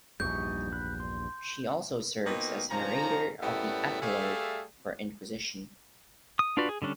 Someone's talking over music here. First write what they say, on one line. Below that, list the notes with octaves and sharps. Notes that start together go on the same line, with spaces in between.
She also serves as the narrator of the epilogue for "Inquisition".
A#1 E2 G2 G3 D#4 C#6 G6
B5 F#6
C6
B2 A#3 C4 D#4 F4
C3 D#3 F3 C#4 A#5
F#2 A2 G3 B3 E5
G3 A3 G#4 A4 E5 F5
D#6
D4 F4 F#4 B4 D5
G#4
D3 G3 C#4 D4